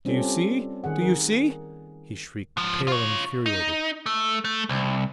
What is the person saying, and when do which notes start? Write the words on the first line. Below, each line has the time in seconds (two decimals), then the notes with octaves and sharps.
"Do you see, do you see?" he shrieked, pale and infuriated.
0.05 G3 C4 C#4 F4 G4 A4
0.84 D#3 G#4 F#5
1.02 A#4
2.57 G#2 F3
2.88 F4 C#5
3.46 D#4
4.06 A3
4.45 A3
4.69 C2